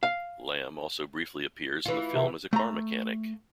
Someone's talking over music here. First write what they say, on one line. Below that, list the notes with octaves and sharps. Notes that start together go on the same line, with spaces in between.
Lam also briefly appears in the film as a car mechanic.
F5
E3 F4
C3
A3 A#5